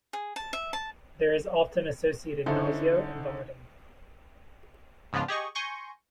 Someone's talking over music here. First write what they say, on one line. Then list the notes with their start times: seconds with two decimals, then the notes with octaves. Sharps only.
There is often associated nausea and vomiting.
0.13 G#4
0.36 A5
0.53 E5
0.73 A5
2.46 D3 C#4 D#4 E4 A4 C5
5.13 G#2 C#3 F3 B3 D4 F4
5.28 G4 G#4 D#5 C#6
5.55 G#5 C6 C#6 G6 A#6 C#7